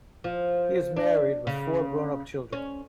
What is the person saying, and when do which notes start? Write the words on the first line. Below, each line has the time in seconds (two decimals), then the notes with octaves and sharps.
He is married with four grown-up children.
0.24 F3
0.96 D4
1.47 C#3
2.53 C#4